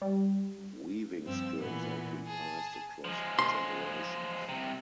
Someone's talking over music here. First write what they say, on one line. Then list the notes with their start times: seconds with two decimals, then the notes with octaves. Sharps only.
Weaving skills have been passed across generations.
0.02 G3
1.24 G2 F3 C4 E6
1.59 A#2 E3 B3
2.28 G#4 A5
3.05 F3 G#3
3.39 C6
4.49 C2 C3